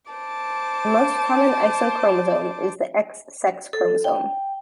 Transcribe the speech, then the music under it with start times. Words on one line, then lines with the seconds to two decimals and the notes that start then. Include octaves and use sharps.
The most common isochromosome is the X sex chromosome.
0.11 C5 A5 D6
3.73 A4
4.04 G5